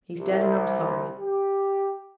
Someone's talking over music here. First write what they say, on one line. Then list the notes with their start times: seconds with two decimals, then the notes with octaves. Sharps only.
He's dead, and I'm sorry.
0.15 C2
1.18 G4